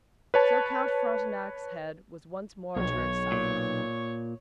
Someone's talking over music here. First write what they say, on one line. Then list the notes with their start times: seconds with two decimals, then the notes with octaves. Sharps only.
So Count Frontenac's head was once more turned southward.
0.34 B4 C#5 A5
2.76 B1 C#5 C#6
3.32 A#2